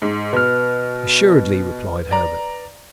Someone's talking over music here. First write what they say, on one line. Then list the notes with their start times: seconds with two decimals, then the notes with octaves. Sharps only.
"Assuredly," replied Herbert.
0.02 G#2
0.33 B2 B4 F6
2.11 D5 A#5